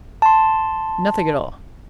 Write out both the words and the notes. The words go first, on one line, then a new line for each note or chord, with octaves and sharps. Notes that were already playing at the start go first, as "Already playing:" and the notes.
"Nothing at all."
A5 C6